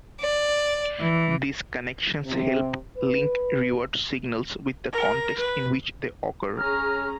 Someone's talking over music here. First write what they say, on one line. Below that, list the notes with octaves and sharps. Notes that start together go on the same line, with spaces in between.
These connections help link reward signals with the context in which they occur.
D5
E3
C3
B4
A#4
B4
C#4 G#4 A#5 F6